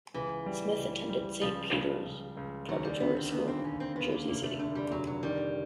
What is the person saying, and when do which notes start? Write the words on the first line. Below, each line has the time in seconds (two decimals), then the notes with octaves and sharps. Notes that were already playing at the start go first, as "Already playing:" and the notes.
Smith attended Saint Peter's Preparatory School in Jersey City.
0.14 C#2 E3
0.46 G3
0.78 C#2
1.10 G3
1.41 C#2 F3
1.73 C#2
2.05 C#2
2.37 C#2
2.68 D#2 F#3
2.85 G3
3.00 D3 B3
3.17 C4
3.32 D3 B3
3.48 C4
3.64 D#2 C#4
3.80 C4
3.96 D#2 B3
4.12 A#3
4.28 F1 A#3
4.43 A3
4.59 D3 A3
4.75 G3
4.91 F1 F#3
5.07 F#3
5.23 D#3 G3